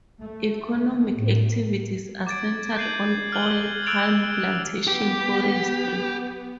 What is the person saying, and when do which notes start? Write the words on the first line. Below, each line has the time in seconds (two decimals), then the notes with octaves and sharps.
Economic activities are centred on oil palm plantations, forestry.
0.22 A3
1.15 A2
2.27 D6 G#6 A6 D7
2.76 G6 G#6 C7 D#7 F#7
3.32 F6 F#6 G#6 F#7 G7
3.86 E6 F#6 A6 D7 E7 F7
4.88 B3 G4